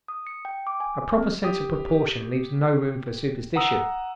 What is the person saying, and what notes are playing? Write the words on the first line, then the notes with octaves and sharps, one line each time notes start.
A proper sense of proportion leaves no room for superstition.
D#6
C#7
G5
D6
G#5
C4
G4 D#6
F#5 A#5 D#6 E6